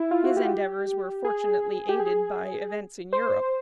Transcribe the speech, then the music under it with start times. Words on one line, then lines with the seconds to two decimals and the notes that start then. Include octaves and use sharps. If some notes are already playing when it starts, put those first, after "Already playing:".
His endeavors were fortunately aided by events in Europe.
Already playing: E4
0.11 F4
0.24 F#4
0.37 G4
1.24 G#4
1.89 G4
2.00 G#4
3.13 C5